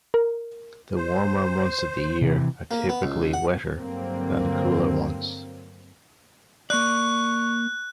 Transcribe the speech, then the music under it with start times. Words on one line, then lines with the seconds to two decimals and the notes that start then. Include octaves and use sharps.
The warmer months of the year are typically wetter than the cooler ones.
0.14 A#4
0.96 C5
2.22 C3 E3
2.71 A#3
2.89 B3
3.03 C#2
3.33 F#5
3.78 G2 D3 F#3 A#3 C4
6.70 A#3 D5 C#6 F#6